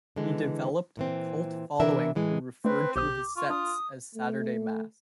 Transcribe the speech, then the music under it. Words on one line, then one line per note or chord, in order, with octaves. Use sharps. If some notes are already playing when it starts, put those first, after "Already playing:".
He developed a cult following who referred to his sets as "Saturday Mass".
D3 E3 G#3
A#2 E3 C4
C3 E3 D4 E4 A#4 E5
A2 E3 G#3
A3 C4 D4 B4
B1 G4 C5 D6 D#6
F4 C#6
D4 D#6
A3